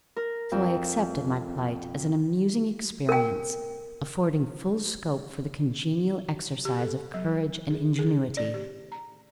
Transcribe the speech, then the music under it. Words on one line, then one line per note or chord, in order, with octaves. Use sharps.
So I accepted my plight as an amusing experience, affording full scope for the congenial exercise of courage and ingenuity.
A#4
F2
A#4 G5
G4
A4
F#3
G#4
G#4
D5
G4
A#5